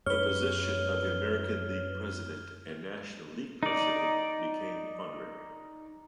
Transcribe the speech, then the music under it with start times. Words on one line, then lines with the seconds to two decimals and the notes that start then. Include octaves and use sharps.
The position of the American League President and National League President became honorary.
0.06 F#2 B4 C#5 F6 G7
3.63 D#4 D5